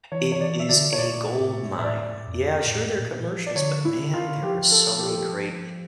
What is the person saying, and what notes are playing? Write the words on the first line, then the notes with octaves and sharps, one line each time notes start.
It is a gold mine. Yeah, sure, there are commercials, but man, there are so many great
E3 C#5
C#5
E3 D5
E5
D3 D5
C#5
A#2 D5
A2
A#2 E5
A2 D5
F2
A#2
A2
A#2
F3
D5
D3 C#5
E4
D3
C#3 F4
D3
F3 G4
A4
G4
A4
G4